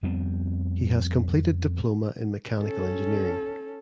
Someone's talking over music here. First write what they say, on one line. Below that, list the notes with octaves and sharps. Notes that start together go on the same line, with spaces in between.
He has completed Diploma in Mechanical Engineering.
F2 G3 B3 C4
C#4 A4